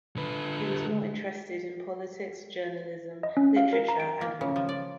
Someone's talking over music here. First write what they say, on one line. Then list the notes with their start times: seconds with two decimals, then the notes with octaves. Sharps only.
He was more interested in politics, journalism, literature and women.
0.16 D3 B4
3.23 D#5
3.37 C#4
3.57 F5
3.73 A#4
3.88 A#5
4.00 D7
4.21 A#3
4.41 C#3
4.56 F3
4.69 D5